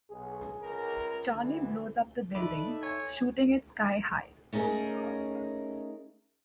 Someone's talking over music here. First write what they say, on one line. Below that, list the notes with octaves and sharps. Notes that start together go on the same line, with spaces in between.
Charlie blows up the building, shooting it sky-high.
B1 G#4
C#2 A#4
D2 D3 E3
D#4 A4 B4 D5 E5
C#5 G#5
A3 C#4 D#4 G#4 A#4